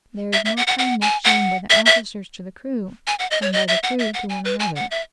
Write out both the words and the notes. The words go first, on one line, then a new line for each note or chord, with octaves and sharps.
There is more kindness shown by the officers to the crew, and by the crew to one another.
E5
E5
F#5
F#5
F#5
G#5
F#5
E5
E5
G#5
F#5
D#5
C#5
D#5
E5
F#5
E5
F#5
G#5
B4
G#5
F#5
E5